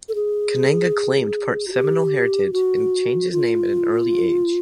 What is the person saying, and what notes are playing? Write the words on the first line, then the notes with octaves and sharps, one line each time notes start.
Kananga claimed part Seminole heritage and changed his name at an early age.
A4
G#4
F#4
G4
F#4
F4